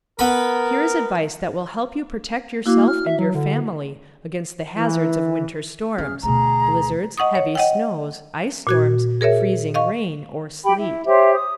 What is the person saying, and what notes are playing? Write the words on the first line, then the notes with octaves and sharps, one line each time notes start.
Here is advice that will help you protect yourself and your family against the hazards of winter storms--blizzards, heavy snows, ice storms, freezing rain, or sleet.
B3 A#4 B5
A#3 E4 F#4
F6
E5
F#3
D3
E3
C#4 G#4 F6
D2 B2 G#4 A#5
D#5 F#5 C#6 D#6
C#5
D#5 F#5 G5
A#2 F#4 G#6
G#4 A#4 C#5 E5
D#5 F5 C#6
G4 G5 B5
E4
G4 C5 C#5 E5
D#6